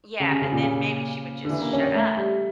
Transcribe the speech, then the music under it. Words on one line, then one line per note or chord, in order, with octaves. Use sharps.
Yeah, and then maybe she would just shut up
C#3
C#3
C#3
A#2
C#3
D3
E3
A#3
C#4
C#4
A3
G3